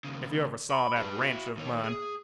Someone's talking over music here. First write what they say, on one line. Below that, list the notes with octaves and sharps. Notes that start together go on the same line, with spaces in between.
If you ever saw that ranch of mine!
D#2 C#3
B5
G4 B4
E4 F#4
D#2 C#5
G#4